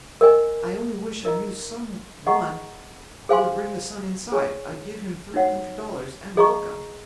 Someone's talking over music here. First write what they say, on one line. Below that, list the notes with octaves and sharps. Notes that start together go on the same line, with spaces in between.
I only wish I knew some one who would bring the sun inside; I'd give him three hundred dollars and welcome.'
A#4 D#5 G#5
D#4 A#4 D#5 A#5
G#4 D#5 F#5 A#5 C#6
G#4 C5 F5 G#5 C6
C#4 G#4 C#5 G#5 C#6
D#4 F#4 C#5 F#5
G#4 D#5 A#5 C#6